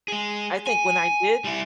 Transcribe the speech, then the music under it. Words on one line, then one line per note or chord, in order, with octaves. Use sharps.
I think when I did
G#3 G#4
G#5
G3 E4